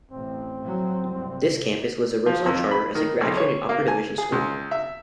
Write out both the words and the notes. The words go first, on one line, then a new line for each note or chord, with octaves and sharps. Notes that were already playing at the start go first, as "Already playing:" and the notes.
This campus was originally chartered as a graduate and upper division school.
A1 C4
A2 F3 F#3
C2 G2 C3
F3
F2
B5
D#3
B1
C#5
A#3
G#5
G#4
C#2
E5